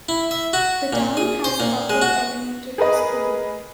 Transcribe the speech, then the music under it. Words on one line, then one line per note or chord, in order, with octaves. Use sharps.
The town has a public elementary school.
E4
E5
F#4
A#2
G#4
C5
A#2
G#3
F#4
G#4 A#4 B4 D#5